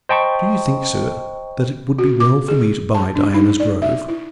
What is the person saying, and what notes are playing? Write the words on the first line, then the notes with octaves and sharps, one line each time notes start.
"Do you think, sir, that it would be well for me to buy Diana's Grove?"
C5 D#5 G5 A5 B5 C#6
F#4
D6
G#4
A5
D4
D#4
D5
E5
E4